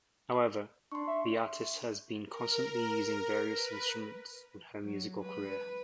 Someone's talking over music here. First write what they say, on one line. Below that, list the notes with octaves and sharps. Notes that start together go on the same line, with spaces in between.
However, the artist has been constantly using various instruments in her musical career.
D4 C6 C#6
E5
A#4
B4
F#3
B4